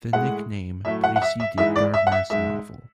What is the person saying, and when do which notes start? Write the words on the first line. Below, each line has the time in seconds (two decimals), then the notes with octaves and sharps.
The nickname preceded Gardner's novel.
0.13 A2 G#3 F#5
0.85 A2 F#3 A3 E5
1.04 F#5
1.16 F#5
1.22 E5
1.40 E5
1.58 G#2 E3 G#3 E5
1.76 D5
1.94 E5
2.07 F#5
2.12 E5
2.30 G#2 G#3 E5